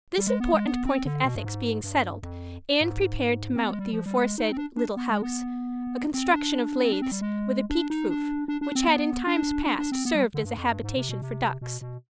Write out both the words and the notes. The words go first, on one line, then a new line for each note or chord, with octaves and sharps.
This important point of ethics being settled, Anne prepared to mount the aforesaid "little house," a construction of lathes, with a peaked roof, which had in times past served as a habitation for ducks.
G3
G#3
B3
G#3
B3
C4
D3
B2
G2
G#2
G2
F2
G#2
C4
B3
G#3
G3
F3
G3
G#3
D#4
C4
D4
D4
B3
G#3
B3
C4
D4
C4
D4
C4
G3
G#3
D4
D#4
D4
D4
D4
C4
B3
D4
D4
D4
C4
B3
G3
D3
G2
F2
G2
G#2
C3
B2
C3
B2
B2